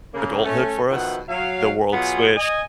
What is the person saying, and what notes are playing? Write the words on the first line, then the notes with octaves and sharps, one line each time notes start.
adulthood for us, eh, the world switched.
C#3 A#3
A3 C#4
B2 D#3 F3 B3 E4 F#5
F#3 F5
B2 F#3 B3 F4 G#4
D#5 G#5